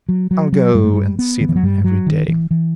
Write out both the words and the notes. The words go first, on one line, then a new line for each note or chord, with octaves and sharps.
I'll go and see them every day.
F#3
F#3
F#3
G2 G3
A3
G3
B3
D#3
E3
F#3
G2 G3
F#3
D#3
E3
E3